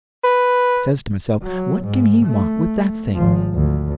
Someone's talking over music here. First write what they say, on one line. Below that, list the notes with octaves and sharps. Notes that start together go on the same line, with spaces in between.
I says to myself, what can he want with that thing?
B4
F#3
G#2
A3
G#1 F3
D2